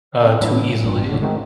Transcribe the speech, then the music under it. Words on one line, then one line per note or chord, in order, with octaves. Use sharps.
uh, too easily.
C4 A4
A2 E3 F#3 D4 E4 A4
A1 G2 G3
F2 A2 D3
G#2 D#3 A3 C4 D#4 F#4